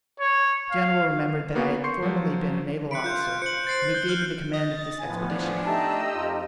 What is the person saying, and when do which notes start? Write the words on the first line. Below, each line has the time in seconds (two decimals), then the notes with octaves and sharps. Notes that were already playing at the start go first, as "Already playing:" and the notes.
The general remembered that I had formerly been a naval officer and he gave me the command of this expedition.
0.20 C#5
0.71 F5
1.55 A#3 B3 F#4
1.84 C6 C#6 G6 C7 C#7
2.03 F3 F#3
2.91 B5 F#6 C#7 D7
3.04 F4 F#6 G6
3.42 C5 C#7 F#7
3.67 A6 C7 D7
3.94 G6
4.08 F6 F#6 F#7
4.54 D#5 A6
5.00 A2 F3 B3 G#5
5.30 D4
5.66 A3 D#4 G4 D#5 A5 A#5 E6
6.14 F2 F4